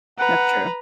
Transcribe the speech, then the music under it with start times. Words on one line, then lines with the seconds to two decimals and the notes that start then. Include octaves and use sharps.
That's true.
0.19 B4 F#5 A#5